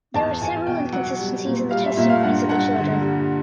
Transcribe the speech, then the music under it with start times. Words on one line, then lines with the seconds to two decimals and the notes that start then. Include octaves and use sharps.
There were several inconsistencies in the testimonies of the children.
0.14 E2 A5
0.41 E2 G#5
0.66 B2 G5
0.93 F#3 F#5
1.19 G3
1.46 A#2
1.71 G3 F5
1.84 E5
1.97 A#2 E5
2.10 F5
2.23 G2 F#5
2.49 G2 F#5
2.76 D3
3.01 G3